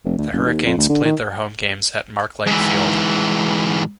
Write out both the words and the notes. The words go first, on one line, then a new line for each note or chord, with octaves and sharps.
The Hurricanes played their home games at Mark Light Field.
F1
D2
F#1
D#2
F2
D2
D3
D#3
G#2 E3